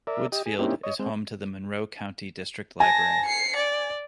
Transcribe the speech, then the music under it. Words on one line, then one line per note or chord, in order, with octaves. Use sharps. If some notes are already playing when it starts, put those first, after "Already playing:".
Woodsfield is home to the Monroe County District Library.
A#4 D5 E5
G4 D#5
G#4
A#3 C4 C#4 D#4 E4 G4
C#5 D#5
G#3 C4
G#5 A5 A#6
C7 C#7
D5